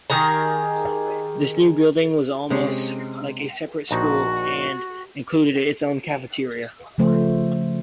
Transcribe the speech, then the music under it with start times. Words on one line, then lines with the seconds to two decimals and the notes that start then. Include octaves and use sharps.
This new building was almost like a separate school and included its own cafeteria.
0.10 D#3 G4 G#4 A#5
2.50 C3 G#3 C#4
3.91 A#1 D#4 F#4 C5
6.98 C#3 F3 A3 C5